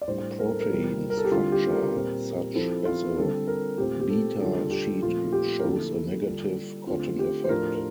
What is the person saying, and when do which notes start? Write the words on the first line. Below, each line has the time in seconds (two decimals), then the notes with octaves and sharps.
A protein structure such as a beta sheet shows a negative Cotton effect.
0.01 D5
0.08 A2 G3 D4 C5
0.39 A#4
0.49 A4
0.60 A#4
0.69 C3 G3 C4 F4
1.10 A#4
1.17 A4
1.25 G4
1.31 D3 G3 C4 E4 F4
1.52 G4
1.67 A4
1.72 A#4
1.94 A#2 G3 C4
2.54 F3 C4 E4 A4
2.85 F4
3.17 D3 G3 C4 A4
3.47 A#4
3.78 A#2 A3 C4 F4 G4
4.00 G4
4.09 A4
4.40 D3 G3 D4 F4 A4
4.66 A4
4.71 G4
5.02 A#2 F3 A3 C4 F4
5.32 G4
5.60 A#4
5.64 D3 F3 A#3 E4 A4
6.26 D3 G3 D4 F4
6.87 D3 A3 C4 F4
7.19 G4
7.44 C5
7.49 A2 F3 A3 D4 F4 A#4
7.75 A#4